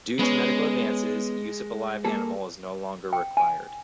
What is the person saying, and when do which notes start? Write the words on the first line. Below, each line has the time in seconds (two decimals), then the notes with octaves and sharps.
Due to medical advances, use of a live animal is no longer required.
0.19 G#3 B3 C#4 C#5
2.05 A#3 G#4 A4
3.13 G5
3.37 G#5